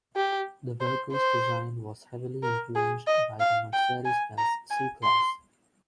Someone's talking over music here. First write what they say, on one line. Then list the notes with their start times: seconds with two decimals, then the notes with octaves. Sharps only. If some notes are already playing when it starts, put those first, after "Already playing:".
The vehicle's design was heavily influenced by the Mercedes-Benz C-Class.
0.16 G4
0.81 C5
1.13 C5
2.43 A#4
2.76 G#4
3.07 D#5
3.40 F5
3.73 G5
4.05 G#5
4.38 A#5
4.71 G#5
5.03 C6